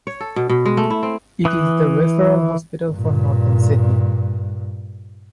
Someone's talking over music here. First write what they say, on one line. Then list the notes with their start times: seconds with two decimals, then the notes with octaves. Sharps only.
It is the referral hospital for Northern Sydney.
0.07 C#5
0.20 A4
0.36 B2
0.49 B2
0.65 G#3
0.77 A3
0.90 E4
1.03 C4
1.45 E3 D#6 F#6
2.91 G2 A#2